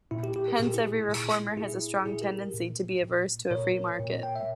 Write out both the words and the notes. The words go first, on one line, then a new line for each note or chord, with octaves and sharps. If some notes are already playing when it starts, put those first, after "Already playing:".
Hence every reformer has a strong tendency to be averse to a free market.
A#2 E4
G4
G4
A#4
A#2 G#4
G4
E4 G#4
A#2
A#2 E4 G#4
A#2 E4 G#4
G4 A#4
A#2
A#2
A#2 A#4 C#5
A#2
G5
E5